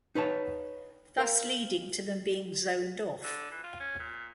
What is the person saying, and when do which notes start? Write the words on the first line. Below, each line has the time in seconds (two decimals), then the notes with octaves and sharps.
Thus leading to them being zoned off.
0.15 D#4 B4 C#5 A5
1.18 A#4 F5
3.24 D3
3.51 E3
3.64 F4
3.80 C#4
3.99 A#2